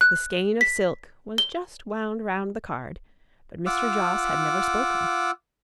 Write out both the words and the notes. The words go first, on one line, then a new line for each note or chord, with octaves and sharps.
The skein of silk was just wound round the card; but Mr. Jos had never spoken.
F#6
B6
G7
F4 F#5 D6 E6